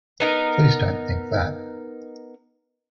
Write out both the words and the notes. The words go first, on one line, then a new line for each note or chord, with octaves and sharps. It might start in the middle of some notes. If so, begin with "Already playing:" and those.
Please don't think that.
B3 D#4 A#4